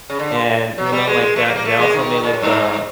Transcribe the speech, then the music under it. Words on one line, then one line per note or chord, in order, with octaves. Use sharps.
And you know, like that they also made like the
C#3
D3
F#3
G3
G#3
G#3
A3
A#3
A#3
A3
G#3
D#3
A#2
A2
G2